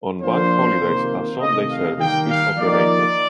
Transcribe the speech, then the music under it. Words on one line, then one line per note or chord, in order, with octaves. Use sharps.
On bank holidays, a Sunday service is operated.
F3 A#3 D4 F4 C5
C3 D#3 A#3 F4
C3 D#3 A3 D#5
F5
D#3 G3 A#3 G5
F5
F3 A#3 D#4 D5